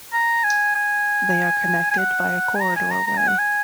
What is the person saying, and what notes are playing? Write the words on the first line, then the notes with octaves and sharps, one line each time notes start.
They are connected by a corridor way.
A#5
G#5
G#5
G#5
F#5
G#5
A#5
G#5
A#5
A#5
G#5
F#5
G#5